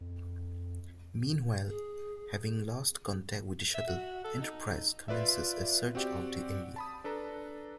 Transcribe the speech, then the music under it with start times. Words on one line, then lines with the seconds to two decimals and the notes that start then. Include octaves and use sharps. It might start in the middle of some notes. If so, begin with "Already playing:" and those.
Meanwhile, having lost contact with the shuttle, "Enterprise" commences a search of the area.
0.01 F2
1.69 G#4
3.75 E5
3.87 F#4
4.24 A4
4.41 D#4
5.08 F4 B4 D5 E5
5.95 C4 F#4 G4 D5
6.76 A5 B5 D#6
7.04 D4 A4 B4 A#5